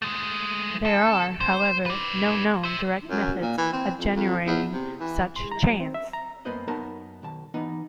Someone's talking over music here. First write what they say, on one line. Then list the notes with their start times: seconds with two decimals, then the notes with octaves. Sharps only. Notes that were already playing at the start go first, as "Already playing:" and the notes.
There are, however, no known direct methods of generating such chains.
0.02 G#3 A3
0.85 A4
1.40 C5
1.86 B4 D5
2.64 C5 E5
3.10 F#2
3.42 A#2
3.58 E3
3.73 C4
3.99 F2
4.16 F2
4.47 E2
4.74 C3
5.00 E3
5.36 C6
5.51 A#5
5.69 F#3
5.80 C4
5.94 E5
6.13 A#5
6.45 F#2 A#3 B3 B4 C5 D#5
6.68 F#2 B3 D#4 A#4 A5
7.23 B1 D#3 A5
7.54 E3 B3 D#4